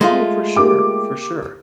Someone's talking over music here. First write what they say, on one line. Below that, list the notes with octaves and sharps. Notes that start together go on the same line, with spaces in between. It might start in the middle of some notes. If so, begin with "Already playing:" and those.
Oh, for sure, for sure.
G#3 A3 F4
A#3 G4 D6